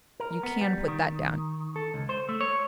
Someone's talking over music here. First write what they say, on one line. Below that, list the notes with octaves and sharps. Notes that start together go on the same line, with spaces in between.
You can put that down.
A#4
B3
G3
D#3
A4
C#2
C5
A3
C#5